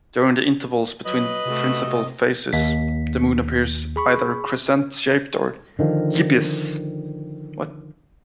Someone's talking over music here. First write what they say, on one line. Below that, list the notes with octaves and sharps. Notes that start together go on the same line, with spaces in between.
During the intervals between principal phases, the Moon appears either crescent-shaped or gibbous.
F#3 B4 D#5
C3 A3 F#4
D#2 B6
G#4 B5 C#6
D3 D#3 F3